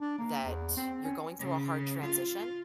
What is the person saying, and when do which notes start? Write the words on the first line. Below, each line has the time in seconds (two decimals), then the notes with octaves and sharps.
that you're going through a hard transition
0.01 D4
0.19 A#3
0.43 E2
0.77 C4
1.04 C#4
1.41 C#3
2.06 F4